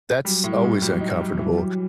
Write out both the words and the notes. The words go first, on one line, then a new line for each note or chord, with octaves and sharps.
that's always uncomfortable,
F#3 G3
A2
G3
A2
F#3 G3
D#4
F#3
G3
E3
G3